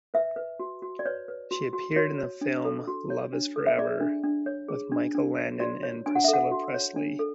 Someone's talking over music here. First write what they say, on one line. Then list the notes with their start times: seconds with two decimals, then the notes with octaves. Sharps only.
She appeared in the film "Love Is Forever", with Michael Landon and Priscilla Presley.
0.14 B4 E5
0.36 B4
0.60 F#4
0.82 F#4
0.99 D5
1.06 B4 C#5
1.28 B4
1.51 F#4
1.73 F#4
1.96 F#4 C#5
2.18 C#5
2.41 D4
2.65 A4
2.87 F#4
3.10 C#5
3.33 D4
3.56 A4
3.67 E5
3.79 G#4 D5
4.01 D4
4.23 D4
4.46 C#5
4.68 G#4
4.92 D4
5.15 D4
5.38 C#5
5.60 F#4 D5
5.83 C#5
6.06 D4 G#5
6.15 F#5
6.24 A4 E5
6.33 F#5
6.52 F#4
6.74 C#5
6.96 D4
7.19 A4